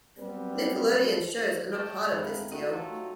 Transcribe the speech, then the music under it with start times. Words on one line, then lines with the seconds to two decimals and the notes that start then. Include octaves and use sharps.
Nickelodeon's shows are not part of this deal.
0.18 F#3 G3 B3 C4
1.71 A3 D#5 G5 A5
2.12 F2 G#3 B3 D#4 E4 F5
2.52 A3 F#4 G4 D#5
2.72 F#3 F4 A4
2.90 A3